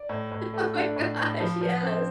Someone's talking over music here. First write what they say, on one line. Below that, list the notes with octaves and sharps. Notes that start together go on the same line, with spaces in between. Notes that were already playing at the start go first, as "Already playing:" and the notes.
Oh my gosh, yes.
Already playing: D5
A2
A2
A3
D4
A2
A2
F3
F3
C4